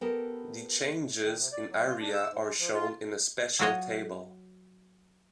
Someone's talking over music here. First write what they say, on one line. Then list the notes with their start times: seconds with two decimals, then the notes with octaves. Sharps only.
The changes in area are shown in a special table.
0.01 B3 G4 A4 A#4
1.21 D#3
1.37 C3
1.52 D5
1.70 F#3
1.88 F4
2.00 D4
2.13 E6
2.29 G#2
2.42 G#3
2.59 F3
2.74 F4
3.59 F#3 F4 F#4 C#5 D#5